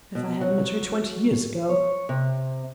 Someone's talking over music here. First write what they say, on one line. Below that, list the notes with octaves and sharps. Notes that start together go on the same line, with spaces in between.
If I had met her twenty years ago!
B2
F#3
C#5
C3